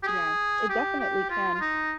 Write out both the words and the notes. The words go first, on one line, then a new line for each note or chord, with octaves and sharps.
Yeah, it definitely can.
G4
G#4
G4
G4
F4
F4
D#4